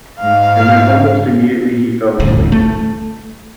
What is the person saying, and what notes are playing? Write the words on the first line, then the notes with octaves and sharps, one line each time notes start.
And then almost immediately he fell asleep.
G#2 F5
D#1 A1 D2 G2
A3